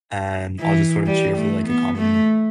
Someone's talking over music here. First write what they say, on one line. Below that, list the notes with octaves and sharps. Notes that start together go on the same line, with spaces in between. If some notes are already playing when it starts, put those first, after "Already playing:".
and I'll just sort of cheer for like a common
E3
G3
A3
B3
A3